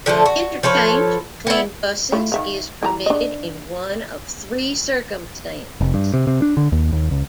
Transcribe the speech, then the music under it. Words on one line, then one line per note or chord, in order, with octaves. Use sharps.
Interchange between buses is permitted in one of three circumstances.
D3 F3 A3 A4
F#4
F3 A4 B4 C#5
B3 E4
A3 E4 F4
D#3 E5 F5
E3 G#4 A#5
D4 D#5
F1
G2
C3
C3
D4
D3
D#2
D#2
C#2